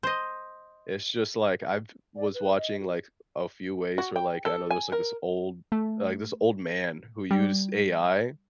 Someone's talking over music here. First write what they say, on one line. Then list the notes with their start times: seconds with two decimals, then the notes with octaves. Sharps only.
It's just like I've was watching, like, a few ways where, like, I know there's, like, this old like, this old man who used AI
0.03 C5 D#5
2.16 D5
2.34 B4
2.57 D#5
2.79 F#4
3.98 F#4
4.16 G5
4.45 A4
4.71 G#5
4.92 A#4
5.72 A3
7.31 G3